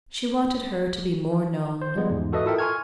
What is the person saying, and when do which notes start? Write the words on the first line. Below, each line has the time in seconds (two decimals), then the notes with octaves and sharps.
She wanted her to be more known.
1.82 C5
1.95 F3 G3 G#3 B3
2.10 E2 G#2
2.33 F#4 A4 B4 D#5 E5 D#6
2.46 E4 F4 A4 A#4 E5 G5
2.59 G#5 C6 C#6 F6 G#6